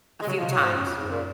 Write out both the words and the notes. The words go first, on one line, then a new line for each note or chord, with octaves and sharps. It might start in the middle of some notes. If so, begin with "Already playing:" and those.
A few times.
G#3
C#3 F#3
F3
C3
F#3
G#2 F3
F#2 C#3
F2
G#2
F#2 A#2